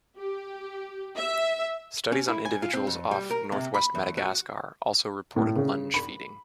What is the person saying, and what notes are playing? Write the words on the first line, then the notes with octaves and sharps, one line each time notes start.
Studies on individuals off northwest Madagascar also reported lunge feeding.
G4
E5
C#4
E4
G#5
F4
C4
F2
G3
A#4
C3
B5
E2
F#4
A2
C#3
B5